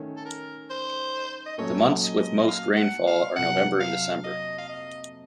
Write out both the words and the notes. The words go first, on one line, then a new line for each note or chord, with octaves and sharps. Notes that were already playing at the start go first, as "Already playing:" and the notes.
The months with most rainfall are November and December.
Already playing: D#3 A3 C#4
A4
A#4
C5
D#5
A#2 F#3 A3 C#4 A4 C#5
D#5
D#5
F5
F#5
F5
F2 C3 F#3 A3 F#5
F5
D#5
F5
D#5